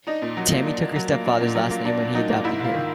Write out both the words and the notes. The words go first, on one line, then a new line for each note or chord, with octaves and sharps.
Tammy took her stepfather's last name when he adopted her.
D4 D#4
A#2
F#3
A#3
D4
A#2
F#3
A#3
D4
A#2
F#3
A#3
D4
A#2
F#3 D#4
A#3
G#2 E4
G#2 F4
D#3